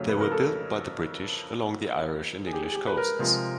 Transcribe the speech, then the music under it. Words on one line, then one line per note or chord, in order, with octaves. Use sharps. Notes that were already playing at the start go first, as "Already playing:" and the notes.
They were built by the British, along the Irish and English coasts.
Already playing: F2 C#3 F#3 A3 C#5
B4
A#4
A4
G#4
G4
G#4
G4
B4
A#4
C3 F3 G#3